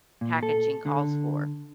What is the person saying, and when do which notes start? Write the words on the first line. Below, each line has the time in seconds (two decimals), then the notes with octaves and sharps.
packaging calls for.
0.21 A#2
0.43 A4
0.86 D3